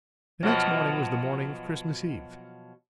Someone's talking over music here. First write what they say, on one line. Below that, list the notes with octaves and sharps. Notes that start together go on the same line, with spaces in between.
The next morning was the morning of Christmas Eve.
B2 F3 F#3